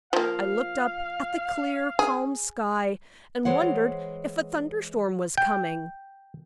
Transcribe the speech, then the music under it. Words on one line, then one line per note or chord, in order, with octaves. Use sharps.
I looked up at the clear, calm sky, and wondered if a thunderstorm was coming.
F3 A#3 F5
G#4
E3 G#3 C5 C#5 F#5
G5